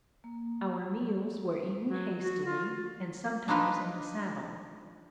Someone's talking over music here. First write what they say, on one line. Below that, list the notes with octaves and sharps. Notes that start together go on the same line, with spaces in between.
Our meals were eaten hastily, and sometimes in the saddle.
A#3
F#3
F#4
F4
D4 D#4 F4 B4 D#5